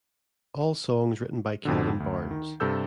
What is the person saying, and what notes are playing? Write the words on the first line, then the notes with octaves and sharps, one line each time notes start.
All songs written by Kevin Barnes.
F2 B2 D3
D2
D#3
G2 C3 A4 E6 G6